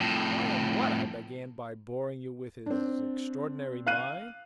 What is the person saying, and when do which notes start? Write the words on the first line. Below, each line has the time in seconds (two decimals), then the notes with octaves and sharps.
"Why on what I began by boring you with--his extraordinary mind."
0.01 F2 A2
2.66 C4 D4
3.87 F5 F#6 D#7